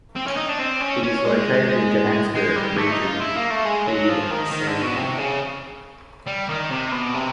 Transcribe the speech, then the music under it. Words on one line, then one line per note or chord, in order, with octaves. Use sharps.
It is located in Johannesburg, Region E, Sandton.
C4
C#4
D#4
D4
C4
C#4
C#4
G#3
G#3
G3
A3
D#4
F4
E4
A#3
A3
G#3
F#3
F3
D#3
D#3
D3
B2
C3
C#3
G3
D#3
C3
B2
C3